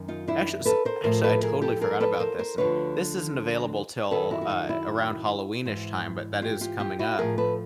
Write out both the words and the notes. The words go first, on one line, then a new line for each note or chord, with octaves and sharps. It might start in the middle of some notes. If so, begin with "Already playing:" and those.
actu eh s actually, I totally forgot about this, and this isn't available till, uh, around Halloween-ish time, but that is coming up,
Already playing: F#2 D#3
D#4 F4
D4 E4
A4 B4
A#4 C5
A2 F3 A#4 C5
A4 B4
G#4 A#4
G4 A4
G#4 A#4
A4 B4
A#4 C5
A#4 C5
D2 D3 F3 B4 C#5
F#2 D#3 A4 B4
E4 F#4
F#4
D#4 F4
E4 F#4
G#2 E3
F4 G4
F4 G4
F4 G4
E4 F#4
A2 F3 G#4 A#4
A4 B4